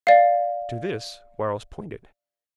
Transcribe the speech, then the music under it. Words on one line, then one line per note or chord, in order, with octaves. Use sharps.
To this Quarles pointed.
D5 F5